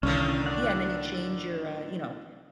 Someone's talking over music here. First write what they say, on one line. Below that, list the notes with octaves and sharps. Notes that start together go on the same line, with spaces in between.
Yeah, and then you change your, uh, you know,
C2 A2 D3 D#3 C#4
D5 F#5